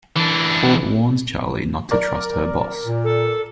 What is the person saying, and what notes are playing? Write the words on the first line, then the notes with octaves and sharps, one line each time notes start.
Fort warns Charley not to trust her boss.
E3 D4
A#4 D5
A#2
A4